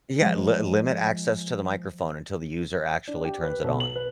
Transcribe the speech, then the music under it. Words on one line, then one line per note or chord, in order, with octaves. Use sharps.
Yeah, l limit access to the microphone until the user actually turns it on.
F3 G#3
D4
G4
B4
B1
F#7
B4